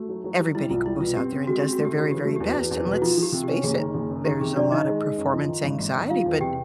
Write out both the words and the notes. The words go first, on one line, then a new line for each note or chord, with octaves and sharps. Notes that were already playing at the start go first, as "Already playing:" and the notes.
Everybody goes out there and does their very, very best, and let's face it, there's a lotta performance anxiety, but
Already playing: A3 F#4
F#3
F#3
F#3
G3 E4
C2 F4
G3 E4
B2 F4
C4 G4
C4
G#3 F#4
C4 G4
F#4
A3
G4
C#3 F#4
E3 G4
A3 F#4
E2 G4
F#4
E2
E2
B2
F#4
F3 F4
F3
G4
C3
C#4 G4
F#1 G#4
D#3
F#1
F#2
D#3 G4
C3 G#4
F#3 D4 D5
D#3 D#4 D#5
G#3
G#3
F#2
F3
D#3
G#1
G#1
D#3
G3 F4 F5
E2
C3 G4 G5